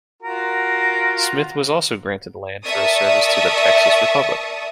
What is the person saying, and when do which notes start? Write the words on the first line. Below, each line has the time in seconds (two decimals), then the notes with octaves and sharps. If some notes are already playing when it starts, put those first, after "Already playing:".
Smith was also granted land for his service to the Texas Republic.
0.23 F4 F#4 A#4
2.65 A#4 D5 E5 A5 C#6 D#6